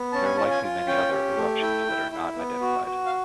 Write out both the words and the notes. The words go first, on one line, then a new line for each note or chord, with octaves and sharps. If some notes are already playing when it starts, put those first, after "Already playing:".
There are likely many other eruptions that are not identified.
Already playing: B3
C#4 A5
G#5
F4 A5
G#5
F4
C#4 G5
G4
A3
E4 G5
E4
E4
B3
F#4
F#4
F5